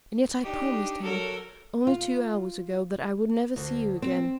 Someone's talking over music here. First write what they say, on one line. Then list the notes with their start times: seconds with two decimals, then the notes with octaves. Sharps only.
And yet I promised him, only two hours ago, that I would never see you again.
0.42 D4 D#4 G4
1.04 F#3 A4 A#4
1.87 F4
3.56 D2
4.02 C4